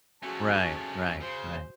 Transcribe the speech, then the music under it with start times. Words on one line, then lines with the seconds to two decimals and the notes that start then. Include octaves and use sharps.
Right, right, right.
0.23 F3 A3 C#4 F#4 G#4 A5
1.21 C#3 C5